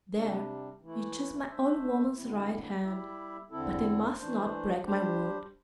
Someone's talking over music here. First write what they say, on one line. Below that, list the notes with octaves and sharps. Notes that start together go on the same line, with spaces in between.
'There, you chose my old woman's right hand; but I must not break my word.'
C3 G3 D4
E3 A3 E4
A3 D4 C5 E5
G2 D3 G3 C4 E4
G3 E4 G4 E5
E2 D3 C4 E4 A4
E3 A3 D4 C5
G3 D4 G4 C5